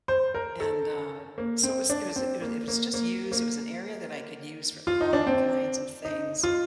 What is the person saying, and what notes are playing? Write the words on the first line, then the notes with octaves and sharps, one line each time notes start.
and, uh, so, it was it was it was it was just used, it was an area that I could use for all kinds of things,
C5
A#4
A4
A#3
C4
D4
C4
A#3
A#3
A#3
A#3
F4
D#4
D4
C4
D#4
F4